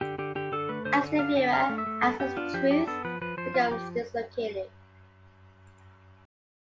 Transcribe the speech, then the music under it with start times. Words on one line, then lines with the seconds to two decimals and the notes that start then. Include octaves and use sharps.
As the viewer, access to truth becomes dislocated.
0.01 D3 G4
0.18 D3 G4
0.35 D3 G4
0.52 D3 A4
0.69 A3 B4
0.85 D3 C5
1.03 D3
1.19 D4 F5
1.36 D3 G5
1.53 D4 F5
1.69 A3
1.78 E5
1.86 A3
2.03 B3 A4
2.20 B3 G4
2.37 D4 F4
2.54 F3 G4
2.71 D4 G4
2.87 B3 A4
3.05 F3 B4
3.21 F3 B4
3.37 F3 C5
3.54 F3 F4
3.71 F3 G4